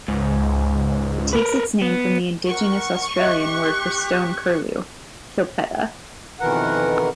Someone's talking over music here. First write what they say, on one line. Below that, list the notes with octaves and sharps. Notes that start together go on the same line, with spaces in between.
It takes its name from the Indigenous Australian word for stone curlew, "quilpeta".
C#2 G#2
A#4 B4
B3
A#4 F#5 C#6
G4 D#5 E5 F#6
F2 B2 D#3 E3 A#4 F#5